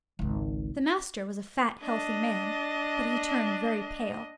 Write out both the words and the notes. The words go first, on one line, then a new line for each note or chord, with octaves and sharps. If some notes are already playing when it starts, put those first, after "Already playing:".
The master was a fat, healthy man; but he turned very pale.
G#1 C#2
D4 D#5